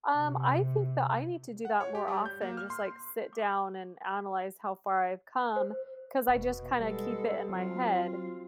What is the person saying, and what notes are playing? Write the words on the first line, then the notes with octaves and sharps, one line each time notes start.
Um, I think that I need to do that more often, just, like, sit down and analyze how far I've come, 'cause I just kinda keep it in my head.
C3
F#5
C#5
G4
G3
G6
A#3
F6
C6
D6
C5
E1 B2 B3
G3 G#3 B3 A4
F#3 C4 F4